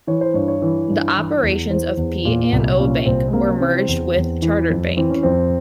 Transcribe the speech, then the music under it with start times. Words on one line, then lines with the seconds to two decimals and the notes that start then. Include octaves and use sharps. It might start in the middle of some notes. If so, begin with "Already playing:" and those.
The operations of P and O Bank were merged with Chartered Bank.
0.07 E3 C#5
0.21 C5
0.34 G2 C#5
0.48 C#5
0.62 E3
0.90 G2
1.16 E3
1.43 E2
1.70 E3 C5
1.97 E2
2.25 A#2
2.53 C2
2.79 A#2 C#4
3.06 C2 C4
3.28 G#3
3.33 C3 A#3
3.56 C#4
3.61 E3 C4
3.88 E2
4.16 E2
4.42 E3
4.70 F2
4.97 E3 C4
5.10 C#4
5.23 F2 C4